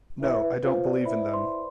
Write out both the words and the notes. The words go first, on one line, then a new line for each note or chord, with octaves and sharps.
No, I don't believe in them.
E4 B4
B4
F4 C5
D5
E4 B5
C6